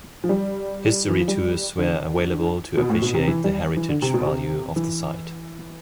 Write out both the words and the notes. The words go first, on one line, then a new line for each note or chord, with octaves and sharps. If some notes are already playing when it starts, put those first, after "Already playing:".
History tours were available to appreciate the heritage value of the site.
F3
G3
E3
F3
G3
D3
B2
A2
B2
C3
E3
G3
E3
D3
C3
B2
C3
E3